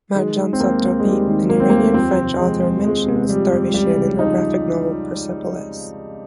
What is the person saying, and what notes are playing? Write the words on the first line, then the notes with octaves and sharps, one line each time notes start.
Marjane Satrapi, an Iranian-French author, mentions Darvishian in her graphic novel "Persepolis".
D#3 G#3
D#3
C4
D#2 A#3
D#2
G#3
D#3 G3
D#3
D#2 A#3
C4
D#2 A#3
F2 C4
C3
F3 G#3
F2
F2 G#3
C3
F3 G3
F2
C#2 G3
C#3
F3 D#4